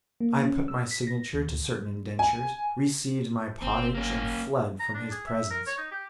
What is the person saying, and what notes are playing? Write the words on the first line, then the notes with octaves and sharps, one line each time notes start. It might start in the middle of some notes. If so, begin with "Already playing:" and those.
I put my signature to certain indentures, received my pottage, and fled from his presence.
A#3
C#4
E6
B6
A#6
D#2
D2
G#5
G1 C4
A#3 C#4
A#5
D4
G#4
E5
A#4
C#5
D#4
G4